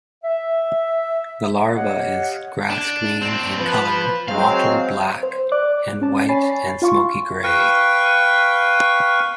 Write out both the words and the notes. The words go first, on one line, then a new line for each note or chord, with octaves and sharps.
The larva is grass green in colour, mottled black and white and smoky grey.
E5
G4 C#5 D#5 F5 F#5
D4
C4 D4
F3 B4
F#3 G#3 C4 F5
C5
D5 D6 F#6
C#4 A5
C#5 G#5 B5 A6 C7
F4 F5 C6 C#6
B4 F5 G5 C#6